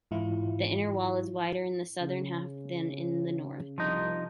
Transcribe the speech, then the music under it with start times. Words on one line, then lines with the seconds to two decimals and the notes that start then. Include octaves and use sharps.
The inner wall is wider in the southern half than in the north.
0.11 G#2 E3 E4 F4
2.01 C#3
3.78 C2 F3 D#4